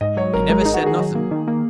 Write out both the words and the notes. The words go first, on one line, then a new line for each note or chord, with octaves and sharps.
He never said nothing.
G#2 D#5
F#3 C#5
G#1 A#4
G#3 A#4
D#4 G#4
F#4
D#3 G#4
F#3
A#3
D#3
A#3